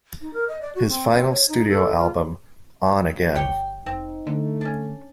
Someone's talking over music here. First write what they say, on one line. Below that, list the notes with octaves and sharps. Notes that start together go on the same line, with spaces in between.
His final studio album, On Again!
D#4
A#4
D#5
D5
F#4
C4
C4
C#5
D#4
A4
F4
G1 G4 C#5 G5
F1 C4 D#4
D3 A3
C#4 D4